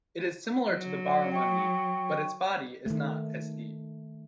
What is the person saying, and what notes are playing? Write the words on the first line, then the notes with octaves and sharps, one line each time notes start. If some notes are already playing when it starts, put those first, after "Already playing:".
It is similar to the barramundi but its body is not as deep.
F#3
G5 C#6
D#3 A3